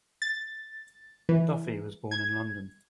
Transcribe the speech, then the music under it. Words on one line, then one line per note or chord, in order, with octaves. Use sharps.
Duffy was born in London.
A6
E3
G#6